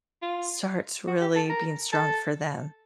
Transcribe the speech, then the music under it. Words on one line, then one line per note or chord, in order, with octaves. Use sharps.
starts really being strong for them.
F4
F#4
G4
A4
A#4
A4